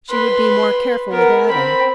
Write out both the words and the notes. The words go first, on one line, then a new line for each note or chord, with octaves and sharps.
She would be more careful with Adam.
B4 C6
B3 A#4
C4 B5